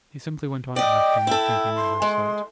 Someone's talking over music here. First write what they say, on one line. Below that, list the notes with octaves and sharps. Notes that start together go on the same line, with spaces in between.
He simply went on acting and thinking in her sight.
D5 D#5 G5
E4 A4
C6
G#3